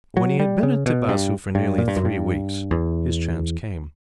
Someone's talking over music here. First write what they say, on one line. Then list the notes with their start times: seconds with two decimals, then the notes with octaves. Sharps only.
When he had been at Tibasu for nearly three weeks his chance came.
0.17 F#3
0.39 G3
0.63 C#3
0.86 B2
1.09 G2
1.55 G2
1.78 A#2
1.88 G2
1.96 F#2
2.05 G2
2.71 E2